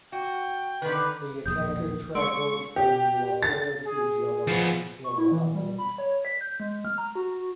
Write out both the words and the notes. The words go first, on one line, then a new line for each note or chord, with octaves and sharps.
The attacker traveled from Lahore to Jhelum to kill Ali.
F#4 G5
D3 D#3 B4
E1 A#1 D#6 G6
G#3 C6 C#6 E6 D7
G4
A6
G#4
F3 B3
C#6
E4
E3
G3
B5
C#5
B6
G6
G#3
F6
A#5
F#4